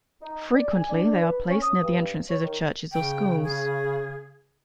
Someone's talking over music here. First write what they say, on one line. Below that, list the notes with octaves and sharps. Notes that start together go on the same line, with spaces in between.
Frequently they are placed near the entrances of churches or schools.
D#4
D5
G#5
D4
B4
C#4
D#6
G2
C#5
D#3
C#3 G5
G#4